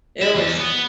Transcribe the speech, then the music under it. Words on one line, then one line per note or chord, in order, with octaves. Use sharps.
it was
E4
E2
B3